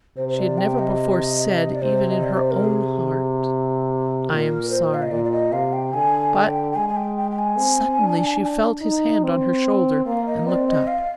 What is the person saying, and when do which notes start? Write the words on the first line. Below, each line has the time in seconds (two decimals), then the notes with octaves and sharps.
She had never before said, even in her own heart: "I am sorry," but--suddenly, she felt his hand on her shoulder, and looked up.
0.17 C3 C5
0.28 C5
0.38 D5
0.58 G5
0.79 D#5
1.75 D5
1.82 C3 C5
2.09 D#5
2.23 D5
2.37 C5
2.51 A#4
2.64 G#4
4.29 A#2 A#4
4.70 C5
4.94 F5
5.02 D#5
5.11 A#2 D5
5.24 D5
5.32 D#5
5.52 C3 F5
5.73 G5
5.94 D3 G#5
6.35 G5
6.72 G5
6.76 G#3 G#5
6.89 G#5
6.97 G5
7.17 G5
7.31 G5
7.38 G#5
7.58 C4
7.99 D4
8.40 D4
8.81 D#4
9.24 C4
10.06 A#3 F5
10.26 D#5
10.47 C4 D5
10.67 D#5
10.87 F5